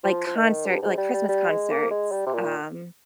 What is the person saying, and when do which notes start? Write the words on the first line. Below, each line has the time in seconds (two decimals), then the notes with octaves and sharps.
Like concert like Christmas concerts, um,
0.03 F3
0.26 F3
0.35 D#3
0.66 G2
0.82 G#2
0.97 G3
1.13 G3
1.29 G3
1.50 G#3
1.71 A#3
1.91 G#3
2.12 G3
2.26 C3
2.33 A#2